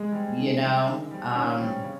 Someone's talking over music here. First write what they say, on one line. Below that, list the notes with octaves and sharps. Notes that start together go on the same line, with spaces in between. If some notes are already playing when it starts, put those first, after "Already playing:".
you know, um,
Already playing: G#3
G3 C4
D#3
G3 C4
D#3
G3 C4
D#3 C#4
G3 C4
C#3